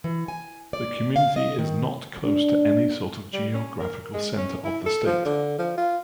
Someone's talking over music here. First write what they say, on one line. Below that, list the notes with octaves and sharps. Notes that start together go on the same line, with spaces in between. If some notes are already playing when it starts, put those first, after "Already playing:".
The community is not close to any sort of geographical center of the state.
E3
G#5
D5
F5
D#5
D#3
D4
G3
C#4
A#4
G#3
C#4
E4
A4
F3
D3
F3
F4